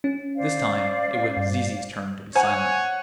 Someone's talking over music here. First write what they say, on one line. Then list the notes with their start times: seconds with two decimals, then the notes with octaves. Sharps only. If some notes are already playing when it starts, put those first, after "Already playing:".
This time it was Zizi's turn to be silent.
0.04 C#4
0.36 C5 D5 F5
1.37 G2
2.36 C5 C#5 F#5 G#5